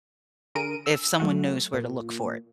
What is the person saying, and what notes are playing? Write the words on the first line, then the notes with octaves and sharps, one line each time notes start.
if someone knows where to look for it,
D3 G#4 A#4 D7 D#7
E6
F#3 A3 F#4
A#2